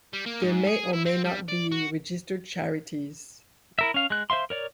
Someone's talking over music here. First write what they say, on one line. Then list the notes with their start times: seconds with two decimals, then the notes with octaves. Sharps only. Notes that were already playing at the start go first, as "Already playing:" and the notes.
They may or may not be registered charities.
0.13 G3
0.26 A#3
0.42 G#2
0.67 G#4
0.93 E4
1.06 C4
1.24 G3
1.48 D5
1.72 F#4
3.79 E4 A#4 E5
3.94 C#4 F5
4.10 G#3 F#6
4.30 C5 E5 F5 C6
4.50 A#4 C#5 D5